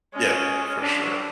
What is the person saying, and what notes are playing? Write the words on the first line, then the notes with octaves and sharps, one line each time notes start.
Yeah. For sure.
G#3 C#4
G3 D4
F3
F#3
G3